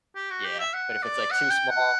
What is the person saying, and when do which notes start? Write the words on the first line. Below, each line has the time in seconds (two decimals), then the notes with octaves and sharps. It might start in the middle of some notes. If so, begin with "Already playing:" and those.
yeah, but if it's, like, too small,
0.16 G4
0.31 F#4
0.44 G4
0.60 E5
0.73 F#5
1.03 D5
1.31 F#5
1.50 G5
1.69 F#5